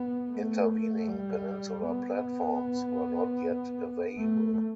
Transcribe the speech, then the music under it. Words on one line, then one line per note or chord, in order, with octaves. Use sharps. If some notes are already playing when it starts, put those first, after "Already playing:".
Intervening peninsular platforms were not yet available.
Already playing: B3
A3
G3
B3
A3